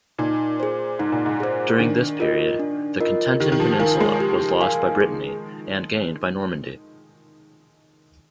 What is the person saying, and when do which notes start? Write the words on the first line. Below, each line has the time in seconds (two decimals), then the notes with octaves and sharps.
During this period the Cotentin Peninsula was lost by Brittany and gained by Normandy.
0.18 A#2 D#4
0.60 G#4 C5
0.99 G#2 D#4
1.12 A#2
1.26 G#2
1.40 G#4 C5
1.80 D#3 D4
2.20 F4 A#4 D#5
2.60 D4
3.00 F4 A#4 D#5
3.40 D#3 G4
3.52 D#3
3.60 F3
3.79 D#3 A#4 F5 G#5
4.00 G#3
4.20 G4
4.61 A#4 F5 G#5
5.00 G#4